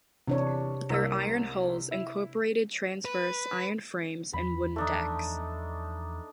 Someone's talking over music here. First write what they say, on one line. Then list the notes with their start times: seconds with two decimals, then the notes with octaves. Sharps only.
Their iron hulls incorporated transverse iron frames and wooden decks.
0.28 E2 C3 D4 C#5
0.90 C2 A#3 E6
1.91 E4
3.05 B4
4.33 E2 E3 F3 B5
4.76 A3 D4 D#4